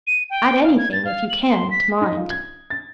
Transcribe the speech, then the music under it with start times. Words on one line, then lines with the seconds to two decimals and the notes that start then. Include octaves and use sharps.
Add anything if you can to mind!
0.07 D#7
0.30 G5
0.64 F5
0.78 G#6
0.93 A6
1.05 F5
1.30 F#7
1.47 C6
1.71 B6
2.01 D#4
2.17 F4
2.30 G#6
2.70 A6